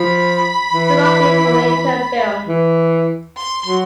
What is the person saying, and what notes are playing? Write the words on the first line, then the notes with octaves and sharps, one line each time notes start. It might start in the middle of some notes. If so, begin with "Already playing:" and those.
Some of these were later filmed.
Already playing: F3 B5
E3
E3
C6
F#3